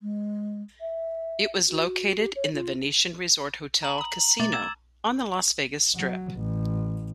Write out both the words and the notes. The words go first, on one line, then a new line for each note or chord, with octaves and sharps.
It was located in The Venetian Resort Hotel Casino on the Las Vegas Strip.
G#3
E5
F#4
G4
C#5
F4
A#5 F#7
B5 D#6
B2 A3 D6 A6
E6 G#6 E7
F#3
A1